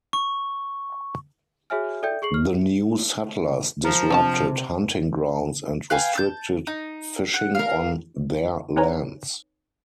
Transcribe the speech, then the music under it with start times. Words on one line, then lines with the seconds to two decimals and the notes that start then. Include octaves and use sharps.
The new settlers disrupted hunting grounds and restricted fishing on "their" lands.
0.13 C#6
1.70 F#4 G#4 C#5 E5 G#5 F6
2.03 A4 D5 E5 G5 G6
2.22 G#4 C#6 C7 F#7
2.34 F6
3.84 F3 A#4
4.10 C3 D4 F4 A5
5.90 B4 F5 G5 G#5
6.13 A5 E6 G6
6.67 D#4
7.34 F#5
7.55 A#4 F5
8.76 C4 D#4 B4 C#5 G#5 A#5